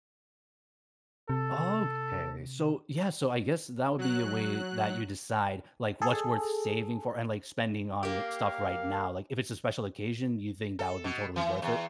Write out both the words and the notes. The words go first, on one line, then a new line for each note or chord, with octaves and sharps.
Okay, so yeah, so I guess that would be a way that you decide, like, what's worth saving for, and like, spending on, eh, stuff right now, like, if it's a special occasion, you think that would be totally worth it?
C3 A4
F#3 F#6
G#4 A4
A#3 G4 F5
A4
B2
E3
E2